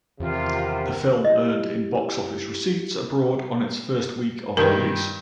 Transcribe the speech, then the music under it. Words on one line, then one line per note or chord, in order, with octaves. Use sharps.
The film earned in box office receipts abroad on its first week of release.
E2 C3 D#3 F4
E4 G4 D#5
G2 D#3 A#4 B4